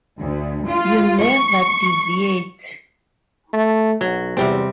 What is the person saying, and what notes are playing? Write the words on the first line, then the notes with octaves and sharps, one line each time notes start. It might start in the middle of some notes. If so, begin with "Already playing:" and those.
You never deviate.
D2
F4
C#6
A3
B1 F#3
E2 C3 G3 C4